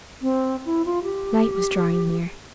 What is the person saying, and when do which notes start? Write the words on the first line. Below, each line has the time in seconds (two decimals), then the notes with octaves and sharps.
Night was drawing near.
0.22 C4
0.66 E4
0.85 F4
1.04 G4